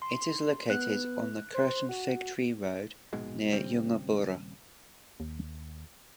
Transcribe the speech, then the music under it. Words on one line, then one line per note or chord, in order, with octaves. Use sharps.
It is located on the Curtain Fig Tree Road, near Yungaburra.
C6
B3 F#6
C5
F#4
A#1 G#2 B2 G#3
D#1 C#3 G3 C4
D#2